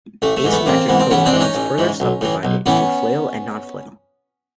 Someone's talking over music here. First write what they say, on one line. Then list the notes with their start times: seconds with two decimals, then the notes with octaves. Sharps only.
Asymmetric prolapse is further subdivided into flail and non-flail.
0.22 A1 A3
0.36 A3
0.44 G#2 E3
0.52 A3 B3
0.66 A1 A#3 C4
0.89 G#2 E3 B3
1.00 C4
1.11 A1 B3 C#4
1.26 C4 D4
1.32 G#2 E3
1.40 C#4 D#4
1.55 A1
1.78 G#2 E3
2.00 B1
2.21 A2 E3
2.43 B1
2.66 A2 E3 B3 C#4